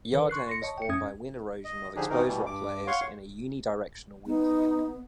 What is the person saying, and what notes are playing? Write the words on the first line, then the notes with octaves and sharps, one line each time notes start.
Yardangs form by wind erosion of exposed rock layers in a unidirectional wind field.
D#3 A#4 B4
C6 C#6 F#6 C7
C6 A#6 C#7
C#5 D#5 A5 C#6
G5 C#7
F2 C#4 E5 D#6 G#6
D#5
D3 F3 D4 D#4 G4 G#4
C3 D#3 E3 D#4 A#4
B2 E3 G3
G2 D6
C#5 F5 F#5 C6 C#6
B3 D#4